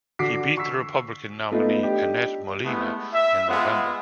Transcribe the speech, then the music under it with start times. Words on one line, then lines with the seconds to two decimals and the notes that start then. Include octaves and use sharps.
He beat the Republican nominee Annette Molina in November.
0.19 D3 F#4 D6 B6 C7
0.57 C#6 E6 B6
1.52 A3 B3 D#4 F4 A4
1.83 D4 G4 D#5
2.65 G#3 A3 B3 E4
3.13 E5
3.48 G#3 B3 F4 F#5